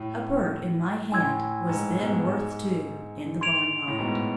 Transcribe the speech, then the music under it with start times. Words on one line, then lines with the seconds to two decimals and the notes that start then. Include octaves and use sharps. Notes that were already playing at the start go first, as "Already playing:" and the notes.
A bird in my hand was then worth two in the--barnyard.
Already playing: A2
1.12 A2 G#5 C6 E6 G#6
1.69 G#2
1.98 G#2 B2
2.27 G#2
3.41 C6 G#6 D7 F7
3.88 A2
3.99 G#2 B2